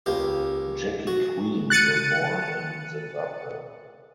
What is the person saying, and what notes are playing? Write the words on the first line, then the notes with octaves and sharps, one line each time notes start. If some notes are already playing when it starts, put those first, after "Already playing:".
Jackie Queens was born in Zimbabwe.
C#2 A#3 G4
F#4
F#6 A6 C#7 D#7